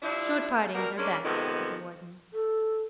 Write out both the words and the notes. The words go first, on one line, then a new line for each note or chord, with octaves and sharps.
"Short partings are best," said the Warden.
F3 G3 D4 E4
B2 G3 A#4
G#3 A#3 C#4 D4
F2 C3 D#3 G#3 B3
A4